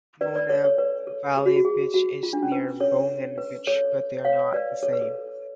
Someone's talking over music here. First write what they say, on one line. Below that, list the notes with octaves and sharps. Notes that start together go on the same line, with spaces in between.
Mona Vale Beach is near Bungan Beach but they are not the same.
B4 D5
B4 D5
A4 C#5
A4 C#5
B4
A4
G#4
F#4
F#4
G#4
F#4
F4
D4
C#4
B4
A4 C#5
B4
A4 C#5
C#5 F5
B4 D5
A4 C#5
B4
A4